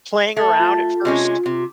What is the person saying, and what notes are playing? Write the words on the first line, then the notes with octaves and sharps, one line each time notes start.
playing around at first.
A3 A4
F4
C3 G#3 C#4
C3